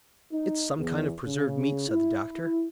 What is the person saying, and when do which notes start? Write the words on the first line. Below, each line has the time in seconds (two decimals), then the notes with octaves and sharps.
"It's some kind of preserved meat," said the doctor.
0.32 D#4
0.78 E2
1.24 C#3
1.89 E4